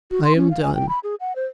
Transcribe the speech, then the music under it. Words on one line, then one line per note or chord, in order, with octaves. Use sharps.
I am done.
F#4
C6
C#4
F5
G#5
G5
B5
G#4
F#5
C5